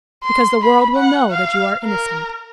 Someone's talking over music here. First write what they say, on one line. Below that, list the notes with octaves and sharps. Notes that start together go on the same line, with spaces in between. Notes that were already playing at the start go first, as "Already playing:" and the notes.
"Because the world will know that you are innocent."
C6
B5
F#5
F5
A#4